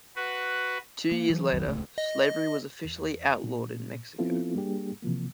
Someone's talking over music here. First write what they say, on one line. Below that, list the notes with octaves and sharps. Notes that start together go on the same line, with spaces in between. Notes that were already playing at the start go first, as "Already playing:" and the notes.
Two years later, slavery was officially outlawed in Mexico.
F#4 B4
A#3
E3 F#3
B1 F2 D#3 F#3
D1 C#2 A3
D#5
E2
A#2
F3 B3 C4 E4 F4 A4
G3 A#3 D4 G4 G#4
C3 E3 F3 A#3